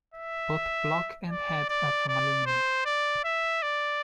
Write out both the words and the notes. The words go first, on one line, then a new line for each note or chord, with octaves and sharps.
Both block and head are from aluminium.
E5
D5
D5
D5
C5
D5
E5
D5